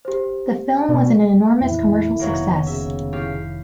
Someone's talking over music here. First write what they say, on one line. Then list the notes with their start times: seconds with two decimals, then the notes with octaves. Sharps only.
The film was an enormous commercial success.
0.05 G4 C5
0.89 B2 D5
1.61 F2 A#2 E3 E4
2.20 F1 B2 D#3 F#3 A#3
2.67 C#3 E5
3.13 A2 G4 F5